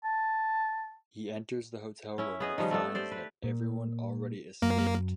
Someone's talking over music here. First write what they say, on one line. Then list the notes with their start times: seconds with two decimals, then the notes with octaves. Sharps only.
He enters the hotel room but finds that everyone already escaped.
0.04 A5
2.18 C#4 E4
2.40 B3 G#4 D#5
2.58 D#3 F3 G3
2.71 A3 B3 A4
2.95 G4 C5 D5
3.12 B4
3.44 A#2
4.62 F#2 A#3